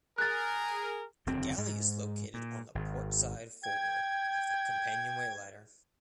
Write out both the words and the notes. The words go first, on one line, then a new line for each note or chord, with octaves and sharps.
The galley is located on the port side forward of the companionway ladder.
G#4 A#4 F#6 A6
F#1 E2 D3 C4
G#2
A#2
G#1
G5 G#6